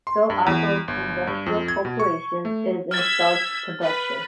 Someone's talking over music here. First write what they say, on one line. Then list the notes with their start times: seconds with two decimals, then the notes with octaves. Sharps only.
Phil-Agro Industrial Corporation is in starch production.
0.07 C6
0.30 G2
0.46 E2
0.88 G1
1.27 G2
1.46 F2
1.68 G#6
1.85 B2
2.00 C#6
2.45 A3
2.91 E6 F6 G#6 A6 B6
3.82 B4